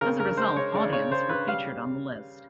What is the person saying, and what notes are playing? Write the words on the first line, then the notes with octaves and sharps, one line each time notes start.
As a result, "Audience" were featured on the list.
C#3 A#4
C#3 A#4
G#3 C5
G#3 C#5
C#3 D5
C#3 C#5
C#3 C5
C#3 B4
G3 F5